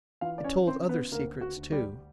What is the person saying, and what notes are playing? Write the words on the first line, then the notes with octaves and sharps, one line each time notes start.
It told other secrets too.
E3 F4 F5
D5
C#4 C#5
C#3 C4 C5
B3 B4
D2 A#3 A#4
F#4
D2
G3 G4